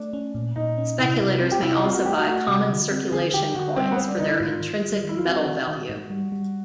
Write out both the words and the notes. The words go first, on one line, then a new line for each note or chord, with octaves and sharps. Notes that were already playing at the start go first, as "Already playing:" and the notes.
Speculators may also buy common circulation coins for their intrinsic metal value.
Already playing: A3 D4
C#4
A#2
A#2 D#4
C#4
C3 E4
C3
C4 F4
G4
C3 E4
D#4
C4 F4
F#4
A3 G4
F#4
A3 F#4
C3
D3
C4
D3 G#4
D3 G4
D3 F#4
G3 C4
B3
G3 C4
D4
D3 D#4
E4
G#2 F4
D#3
G3
D#3
E4
F4
C4 F#4
D#3
D#3
G#2
G3
G3